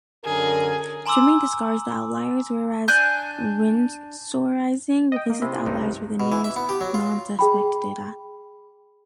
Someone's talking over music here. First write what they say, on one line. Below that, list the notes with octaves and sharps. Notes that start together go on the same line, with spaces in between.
Trimming discards the outliers whereas Winsorising replaces the outliers with the nearest "nonsuspect" data.
F#2 D3 G#4 A#4
G#5 A#5 C6 D6 E6
D4 G#5 F#6 G6
D#5 G5
A#3
C3 E4 C6
C#2 G2 D#4
B2
E3
E5
B3
G4
F#3
F4
G#4 G5 B5